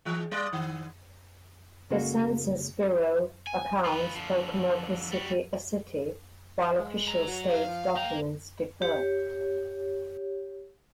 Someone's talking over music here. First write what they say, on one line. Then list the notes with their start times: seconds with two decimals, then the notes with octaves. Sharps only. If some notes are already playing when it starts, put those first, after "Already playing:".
The Census Bureau accounts Pocomoke City a city, while official state documents differ.
0.05 E3 G#3
0.31 G3 D5
0.53 D#3
1.90 C#3 G#3 A#3 F#4 A4
3.47 G#5
3.85 F4 B4
4.15 D3 F3
5.12 G3 F#4
6.79 G#3
7.08 F#3 A#5
7.28 F#4
7.48 G4 F5
7.67 F3
7.96 A#3 G5 A#5
8.82 G4 C#5